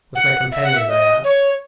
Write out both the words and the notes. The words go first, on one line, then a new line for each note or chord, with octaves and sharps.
"With my companions?" I asked.
F#5
E5
F#5
E5
D#5
C#5